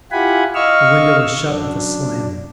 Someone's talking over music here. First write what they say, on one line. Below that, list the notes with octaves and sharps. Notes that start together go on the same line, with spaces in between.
The window was shut with a slam.
E4 F4 G4 F#5 G#5 B5
D#5 F5 C#6 E6 F6
F#2 D4